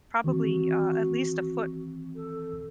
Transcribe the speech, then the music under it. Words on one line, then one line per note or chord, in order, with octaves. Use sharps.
probably, uh, at least a foot
D#3 E3 C4 F#4
A4